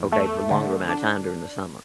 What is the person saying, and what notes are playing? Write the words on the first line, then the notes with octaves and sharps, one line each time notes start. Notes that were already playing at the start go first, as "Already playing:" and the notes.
okay, for a longer amount of time during the summer,
Already playing: E2
A3
D3
D4